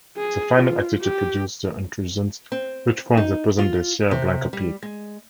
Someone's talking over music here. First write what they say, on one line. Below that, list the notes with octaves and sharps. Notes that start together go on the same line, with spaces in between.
The final activity produced the intrusions which form the present-day Sierra Blanca Peak.
G#4
F4
G4
C4
D#4
F4
C3
G3
G#3